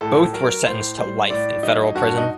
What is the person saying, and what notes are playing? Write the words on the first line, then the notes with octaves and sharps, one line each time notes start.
Both were sentenced to life in federal prison.
A2 A4
F#3 A#4
A2 C5
G3 C5
A2 D5
F#3 D#4
G2 F#4
D#4